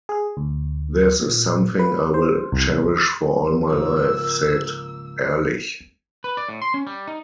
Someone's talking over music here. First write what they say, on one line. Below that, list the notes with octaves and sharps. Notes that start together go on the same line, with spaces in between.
"This is something I will cherish for all of my life," said Erlich.
G#4
D2
A#2
B4
C5
C2
C#2 G#2 F3 A#3 E6
B4
D5
A2
C6
C#4
G3
D#4